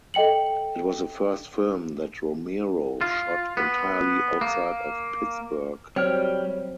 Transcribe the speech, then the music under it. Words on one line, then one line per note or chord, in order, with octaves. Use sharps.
It was the first film that Romero shot entirely outside of Pittsburgh.
A4 D#5 G5 C#7 F#7
F4
B3
A#3
F#3 G3 C4 C#5 G5 F6